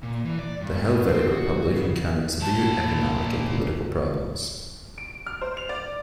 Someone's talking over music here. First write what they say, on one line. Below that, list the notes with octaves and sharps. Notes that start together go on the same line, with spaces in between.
The Helvetic Republic encountered severe economic and political problems.
A#2
E3
D5
G2
B2
C4
F#4
C#3
A#2 A5
D7
F6
C5
F7
D5